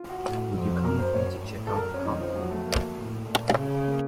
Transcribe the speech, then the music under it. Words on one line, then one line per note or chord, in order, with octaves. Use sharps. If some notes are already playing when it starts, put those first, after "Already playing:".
Would you come with me to check out the car?
Already playing: F4
F#4
A2 F#4
F2
F#2 A#4
C5
F#2 C#5
A2
A4
F#2 A#4
C#4
F2 D#4
F3
F#3
A3
A#3
A2
A#2 A3
C#3
A#3